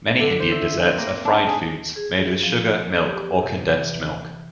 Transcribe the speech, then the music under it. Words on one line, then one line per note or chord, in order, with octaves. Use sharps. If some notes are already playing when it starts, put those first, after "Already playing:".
Many Indian desserts are fried foods made with sugar, milk or condensed milk.
D3
C5
E5
C4
A#3
D4
G#4
G#4
F3
G4
C3
E3